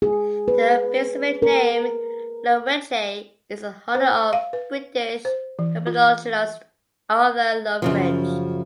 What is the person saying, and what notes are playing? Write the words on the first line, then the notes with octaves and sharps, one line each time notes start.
The specific name, "loveridgei", is in honor of British herpetologist Arthur Loveridge.
G#4
B4
A#4
C5
F5
B4
C5
E3
F4
F#2 C#3 F3